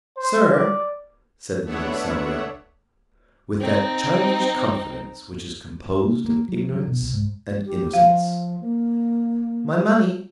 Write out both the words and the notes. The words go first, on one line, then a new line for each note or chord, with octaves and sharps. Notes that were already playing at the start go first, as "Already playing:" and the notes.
"Sir," said the little Savoyard, with that childish confidence which is composed of ignorance and innocence, "my money."
C5
D5
A3 B3 D4 C#5 E5 F#5
C4 D#4
A#3
A#3
F#3
F#3
B2
C2
G#2
G4
F3 F5
A#3